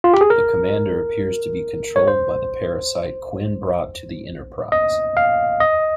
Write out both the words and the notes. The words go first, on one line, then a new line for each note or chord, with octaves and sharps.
The commander appears to be controlled by the parasite Quinn brought to the "Enterprise".
F4
G4
G#4
A#4
C#5
C5
D#5
F5
D#5